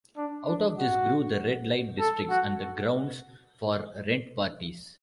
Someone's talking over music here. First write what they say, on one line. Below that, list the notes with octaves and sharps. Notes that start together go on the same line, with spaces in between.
Out of this grew the red light districts and the grounds for rent parties.
D4
D4
F#4
A4
F#4